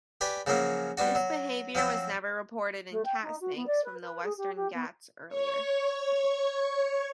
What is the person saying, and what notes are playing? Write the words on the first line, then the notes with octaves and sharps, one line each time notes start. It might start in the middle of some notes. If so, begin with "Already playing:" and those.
This behavior was never reported in cat snakes from the Western Ghats earlier.
G4 B4 D5 G#5
C#3 F3 F#3 A#3 C#4
G3 B3 D4 F#4
F#3
F3 F#3 C4 A5
A3
G5
D#4
F#4
B3
D5
B4
B4
G#4
G4
G4
B3
C#5 C#6